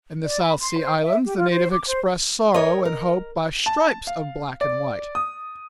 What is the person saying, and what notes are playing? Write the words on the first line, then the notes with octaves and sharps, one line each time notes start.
In the South Sea Islands the natives express sorrow and hope by stripes of black and white.
D5
B5
C6
C5
E5
G4
F4
C5
D6
C5
A#4 C#5 D#5
A#4
A5
F5
D5
D#6